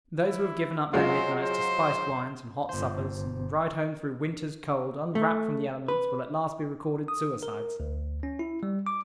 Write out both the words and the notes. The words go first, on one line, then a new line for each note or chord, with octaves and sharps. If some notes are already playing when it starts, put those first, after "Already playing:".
Those who have given up their midnights to spiced wines, and hot suppers, and ride home through winter's cold, unwrapped from the elements, will at last be recorded suicides.
E4
F#3 G#3 F4 C5
C5
G1 C5
A3
B4
D#6
A#4
D2
C#4
E4
G3
D6